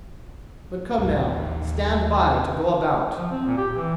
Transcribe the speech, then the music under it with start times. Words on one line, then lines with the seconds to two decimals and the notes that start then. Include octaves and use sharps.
But come now, stand by to go about.
0.98 A1 D#2
3.17 F3
3.31 C4
3.46 A#2
3.58 G4
3.73 E3